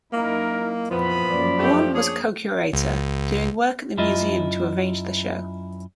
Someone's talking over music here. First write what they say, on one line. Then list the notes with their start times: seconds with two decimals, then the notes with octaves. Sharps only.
Bourne was a co-curator, doing work at the museum to arrange the show.
0.13 F#2 A#3 D#4 E4 A#4
0.90 F2 A#2 E3 F3 B3 B5
1.27 F#2 A#3 D5
1.58 A3 G4
1.94 A#3 D4 G#4 C#5
2.73 C#2
3.98 F#2 E4 F4 D#5